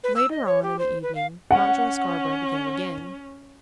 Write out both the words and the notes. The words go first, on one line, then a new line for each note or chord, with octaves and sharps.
Later on in the evening Mountjoy Scarborough began again.
B4
E6
D#5
C#5
G4
C5
B4
F5
C#4 F#5